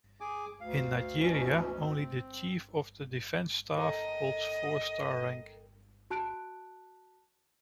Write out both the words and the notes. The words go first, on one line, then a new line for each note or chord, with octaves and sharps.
In Nigeria, only the Chief of the Defence Staff holds four-star rank.
G#4 G#5 D6
D2 F5
B2 E3 C#4
C4
A4 A#4 D#5 G5
F#4 A5 F#6 D7